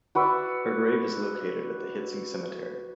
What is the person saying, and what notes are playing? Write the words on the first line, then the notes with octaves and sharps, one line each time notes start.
Her grave is located at the Hietzing Cemetery.
F#4 B4 D5 E5